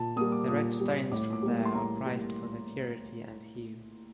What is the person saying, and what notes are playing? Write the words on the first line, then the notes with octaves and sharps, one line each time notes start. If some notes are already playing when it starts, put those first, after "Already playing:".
The red stones from there are prized for their purity and hue.
Already playing: A#2 A5
G3 A#3 D#6
D6
A#2 D#6
G3 A#3
A2 D6
D6
G3 A#3
C6
A2 A#5
G3 A#3